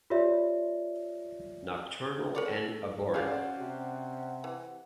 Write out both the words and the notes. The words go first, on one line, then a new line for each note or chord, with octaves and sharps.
Nocturnal and arboreal.
F4 G4 A#4 C#5 D5 E5
A4 A#4 C#5 D5
G3 C#4 F#4 G#4 C5 D5 F5 F#5
C3
E3